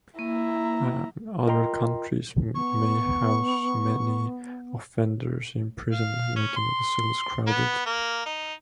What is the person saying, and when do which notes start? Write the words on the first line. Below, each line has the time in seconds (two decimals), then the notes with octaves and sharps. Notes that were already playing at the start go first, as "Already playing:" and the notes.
Other countries may house many offenders in prisons, making the cells crowded.
0.19 A#3 E4 A#5
1.46 F4 A#4 D#5 G5 A#5 C6
2.55 B3 C#6
5.92 F5
6.36 C#4
6.56 C6
7.47 B3
7.86 A#3
8.26 D#4